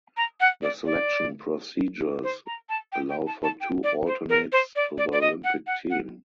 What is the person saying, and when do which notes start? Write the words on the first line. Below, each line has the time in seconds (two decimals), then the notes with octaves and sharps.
The selection procedures allow for two alternates to the Olympic Team.
0.17 A#5
0.41 F#5
0.63 D5
0.86 D5
2.23 C5
2.47 A#5
2.69 A5
2.92 G5
3.09 G5
3.27 A5
3.43 A5
3.61 G5
3.84 D5
4.07 C5
4.29 A#4
4.52 C5
4.76 D5
4.98 D5
5.12 D5
5.21 D#5
5.44 F#5
5.67 F#5
5.90 F#5